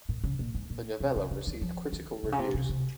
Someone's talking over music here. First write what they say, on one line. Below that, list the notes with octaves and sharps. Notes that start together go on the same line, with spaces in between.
The novella received critical reviews.
A#2
C#3
A#2
G#2
A#2
C3
C#3
C#3
D#3
F3
D#3
C3
C#3
C3
C3
C3